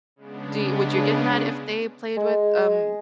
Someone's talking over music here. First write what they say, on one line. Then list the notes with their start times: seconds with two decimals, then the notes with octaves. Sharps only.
Do you would you get mad if they played with, um
0.16 C#3 G#3 B3 D4
2.17 G#3